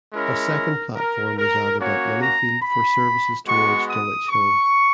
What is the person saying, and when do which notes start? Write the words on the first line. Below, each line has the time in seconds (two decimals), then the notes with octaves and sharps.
A second platform was added at Lilyfield for services towards Dulwich Hill.
0.13 G#3 C#4 E4 A#4
0.96 A#4
1.38 A#4
1.79 A#3 C#4 F#4 C#5
2.20 A#5
2.62 B5
3.46 G#3 B3 F#4 C#6
3.88 D#6
4.29 C#6